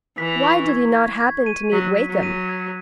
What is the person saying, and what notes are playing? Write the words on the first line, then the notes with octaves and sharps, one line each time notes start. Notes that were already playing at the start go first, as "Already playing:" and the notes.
Why did he not happen to meet Wakem?
E3 B6
C#6
G#6
G#6
G#6
D#7
F#3 B6
B6
F#3
D#7
G#6